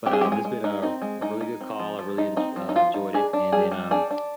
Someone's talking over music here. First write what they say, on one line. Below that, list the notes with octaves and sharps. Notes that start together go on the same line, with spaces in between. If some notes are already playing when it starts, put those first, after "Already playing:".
But, um, this been a really good call. I really enj uh, ...joyed it. And then, um,
C4 G4
G#4
G4
G#3
G#4
G#3
D#4
C4 D#4
G#3
G#3 D#4
D#4
C4
F3
F3
D#4
C4 D#4
F3
D#4
F3 F4
D#4
D4 G#4
D4
G3 G#4
G3
D4 G#4
D4